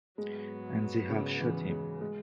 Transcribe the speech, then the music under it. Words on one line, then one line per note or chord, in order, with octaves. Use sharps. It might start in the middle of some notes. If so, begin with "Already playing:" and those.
And they have shot him.
G#2 F#3 G#3 B3
C#3
E3
G#3
G#3